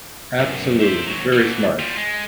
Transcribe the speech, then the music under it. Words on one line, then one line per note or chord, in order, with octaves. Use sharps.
Absolutely, v very smart.
B1 F#2
C5 E5
D#2 F#3
B2 E3
G3 F4
G#3